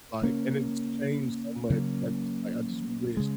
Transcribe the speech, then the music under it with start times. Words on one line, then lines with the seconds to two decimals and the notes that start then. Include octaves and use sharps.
like, and it's changed so much, and I just like, I just wish
0.22 C#3 A#3 C#4
1.70 C#3 F#3 A#3 C#4
3.17 C#3 G#3